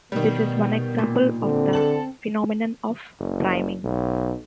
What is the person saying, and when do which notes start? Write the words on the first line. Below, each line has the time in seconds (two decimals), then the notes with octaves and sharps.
This is one example of the phenomenon of priming.
0.12 B2 D#3 G3
0.98 A#2
1.42 D3 C4
1.73 A4 A5 F#7
3.20 F#1
3.84 B1